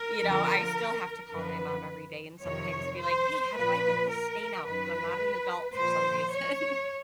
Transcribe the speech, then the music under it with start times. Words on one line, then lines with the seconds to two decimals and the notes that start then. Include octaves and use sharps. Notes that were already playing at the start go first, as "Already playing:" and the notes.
you know, I still have to call my mom every day and sometimes be like, "Hey, how do I get this stain out? 'Cause I'm not an adult for some reason."
Already playing: A#4
0.22 F2 D3 F3
1.32 F#2 D3 F3 B4
2.43 F2 C3 D#3 C#5
2.99 C5
3.54 A#2 F3 B4
4.09 A#4
4.65 F#2 D#3 B4
5.76 A#2 F3 C5
6.31 C#5